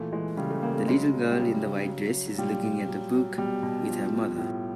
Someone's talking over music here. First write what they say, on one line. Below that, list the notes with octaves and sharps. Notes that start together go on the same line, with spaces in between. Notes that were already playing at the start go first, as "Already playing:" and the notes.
The little girl in the white dress is looking at a book with her mother.
Already playing: A#2 E3 A3
E3 G#3
C#3 G3
A3
C#3 A#3
A3
F#3 G#3
F#3
G3
C#3 F#3
C#3
F#3
F#3
F#3
A#2 G3
A#2
F#3
F#3
B2 G3
B2
F3
F3
A2